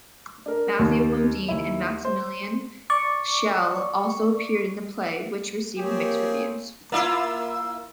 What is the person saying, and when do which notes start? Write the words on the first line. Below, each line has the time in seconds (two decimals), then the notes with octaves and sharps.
Matthew Modine and Maximilian Schell also appeared in the play, which received mixed reviews.
0.46 D4 A#4
0.79 D#2
1.49 D#2 E4
2.05 C5
2.90 D5 C#6
5.77 A#3 C4 G4 G#4 C#5
6.92 A#3 E4 F4